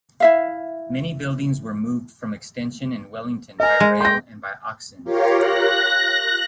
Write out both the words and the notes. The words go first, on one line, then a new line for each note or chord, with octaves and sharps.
Many buildings were moved from Extension and Wellington by rail and by oxen.
E4 E5 F5
A#4 D#5 G#5
G#3
G5 C6 A#6
F4 G4 A#4 C#5 F5
F#6 A#6